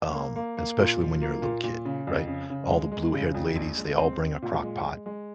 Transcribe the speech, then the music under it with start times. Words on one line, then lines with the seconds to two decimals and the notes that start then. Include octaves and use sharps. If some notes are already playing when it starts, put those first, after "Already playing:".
um, especially when you're a little kid right? All the blue-haired ladies, they all bring a crock pot.
0.14 A#3
0.36 A#3
0.57 A#3
0.79 A#2
1.00 F3
1.22 A#3
1.42 A#2
1.63 A#2
1.85 C#3
2.07 F2
2.27 C#3
2.50 C#3
2.71 G#3
2.92 G#3
3.14 C#3
3.34 F2
3.56 A#1
3.78 G#3
3.98 C4
4.20 C4
4.42 A#2
4.63 G#3
4.85 G#3
5.06 G#3